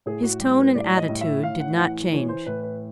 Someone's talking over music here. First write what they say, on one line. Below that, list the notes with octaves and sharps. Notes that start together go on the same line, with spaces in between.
His tone and attitude did not change.
A2 G#4
F#4
G3 G4
B4
A2 D5
D#5
A2
E5
A2 F5
F#5
E3 F#5
E3 C#5
C5
A2 B4
B4